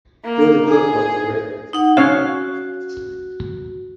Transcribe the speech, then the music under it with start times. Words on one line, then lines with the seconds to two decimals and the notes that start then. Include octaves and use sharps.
Fielder Cook was the director.
0.24 A#3
0.70 G#4
1.73 D#4 F#5
1.97 C#4 F#4 C#5 F5